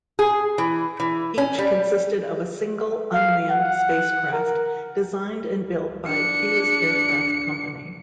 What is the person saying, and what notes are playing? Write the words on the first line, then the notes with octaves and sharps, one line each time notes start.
Each consisted of a single unmanned spacecraft designed and built by Hughes Aircraft Company.
G#4
E3
E3
C#4
G3
F5
F#5
A#4
D4 C#7